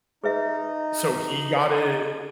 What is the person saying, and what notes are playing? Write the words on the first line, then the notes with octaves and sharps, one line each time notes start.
So, he got it
D#4 G#4 B4 E5